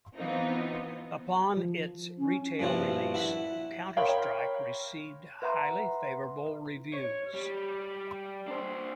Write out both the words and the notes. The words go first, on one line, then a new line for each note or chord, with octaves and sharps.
Upon its retail release, "Counter-Strike" received highly favorable reviews.
E3 B3 C4 D#4 F4
F3
C#4
G2 A#2 F3 E4 F#4
E4 E5 F#5 B5
A#4 C#5 F5 G5 B5 C6
B4 E5 F#5 A#5 C6
C#5
G3
D4 C5